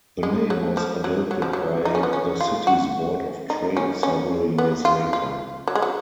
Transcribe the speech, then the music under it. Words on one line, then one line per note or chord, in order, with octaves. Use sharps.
The name was adopted by the city's Board of Trade several years later.
G#3
F#3
F3
F#3
F#3
F3
F#3
D#4
C#4
B3
C#4
F4
F#4
D#4
C#4
C#4
B3
F4
F4
F#3
G#3
F#3